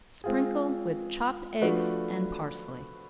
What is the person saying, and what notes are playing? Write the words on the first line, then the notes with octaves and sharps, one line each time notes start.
Sprinkle with chopped eggs and parsley.
G#3 C4 F4 G#4
F3 A3 D4 F#4 B4